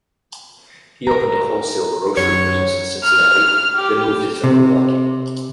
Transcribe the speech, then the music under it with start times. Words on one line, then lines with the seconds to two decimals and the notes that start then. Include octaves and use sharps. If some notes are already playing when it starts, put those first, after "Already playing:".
He opened a wholesale grocery business in Cincinnati, then moved it to Milwaukee.
1.07 A#4 A#5
2.18 F#2 C#5
3.03 F6
3.76 G4
4.44 C3